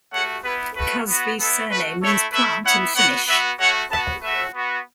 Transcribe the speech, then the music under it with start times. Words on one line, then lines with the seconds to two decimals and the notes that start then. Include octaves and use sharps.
Kasvi's surname means "plant" in Finnish.
0.12 A3 F#4 C#5 F#5
0.44 B3 E4 B4
0.76 A3 F#4 B4
1.07 B3 F#4
1.38 B3 E4 A4
1.70 A3 F#4 B4
2.01 A3 E4 A4 C#5
2.33 A3 E4 B4 E5
2.65 B3 E4 C#5 F#5
2.96 B3 F#4 C#5 F#5
3.28 B3 F#4 B4 E5
3.59 A3 F#4 C#5 F#5
3.91 B3 F#4 E5 A5
4.22 A3 F#4 B4 E5
4.54 B3 F#4